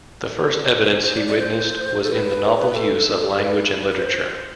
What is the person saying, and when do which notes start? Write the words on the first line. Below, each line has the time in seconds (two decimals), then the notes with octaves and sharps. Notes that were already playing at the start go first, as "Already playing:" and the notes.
The first evidence he witnessed was in the novel use of language and literature.
0.85 C5
1.00 C5
1.17 D5
1.27 D5
1.38 C5
2.03 A4
2.12 B4
2.75 A4
3.39 B4
3.91 B4
4.02 C5